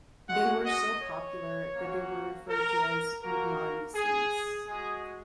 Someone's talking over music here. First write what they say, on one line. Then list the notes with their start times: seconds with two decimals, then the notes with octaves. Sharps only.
They were so popular that they were referred to as Mignardises.
0.28 G#3 C#4 F#4 F#5
0.66 D#5
1.02 C#5
1.75 A#3 C#4 F#4
2.49 A#4
3.21 A#3 F#4 A#4
3.95 G#4
4.67 G#3 F#4 G#4